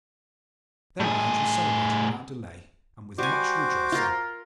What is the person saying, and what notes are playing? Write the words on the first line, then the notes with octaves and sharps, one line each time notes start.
Their marriage was celebrated without delay, and with much rejoicing.
A2 G#4
G3 F#4 C5 G#5 D6
F4 A#4